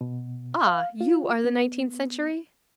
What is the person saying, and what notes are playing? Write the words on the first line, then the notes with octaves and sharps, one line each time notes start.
Ah! you are the nineteenth century?
B2
F5
F4
B3